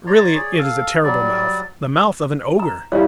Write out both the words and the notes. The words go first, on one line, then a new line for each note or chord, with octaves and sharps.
Really, it is a terrible mouth, the mouth of an ogre!
C#5 D5 A#5 C6
G#4 C#5 D5
A4 F5
F#3 G3 D5
A#5
G3 E4 C#5 F5